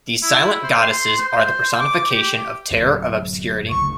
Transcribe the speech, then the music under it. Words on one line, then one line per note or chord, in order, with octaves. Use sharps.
These silent goddesses are the personification of terror of obscurity.
E4
C5
C6
C5
D6
G4
D1 F#2 F#3
F#1 D2 C#6